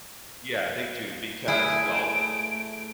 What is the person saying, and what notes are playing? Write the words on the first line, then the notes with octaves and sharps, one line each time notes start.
Yeah, they do, because, well,
A3 E4 G#4 D7